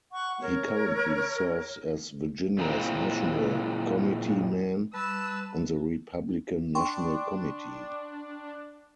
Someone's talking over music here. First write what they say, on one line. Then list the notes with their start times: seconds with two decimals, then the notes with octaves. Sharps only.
He currently serves as Virginia's national committeeman on the Republican National Committee.
0.12 F#5 C#6
0.40 A#4 C#5
2.58 A#2 E3 G#3 C4 A#5
4.94 G3 B4 A5 E6
6.75 D4 G5 C6 C#6